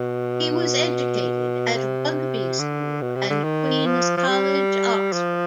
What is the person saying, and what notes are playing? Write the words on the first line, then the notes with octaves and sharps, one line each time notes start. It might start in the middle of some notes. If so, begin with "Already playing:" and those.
He was educated at Rugby School and Queen's College, Oxford.
Already playing: B2
C3
D3
B2
C3
D3
D#3
F3
F3
G3
F3